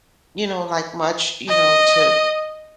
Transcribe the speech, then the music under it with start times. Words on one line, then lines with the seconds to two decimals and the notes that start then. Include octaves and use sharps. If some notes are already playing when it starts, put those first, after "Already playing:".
you know, like much, you know, to
1.48 D#5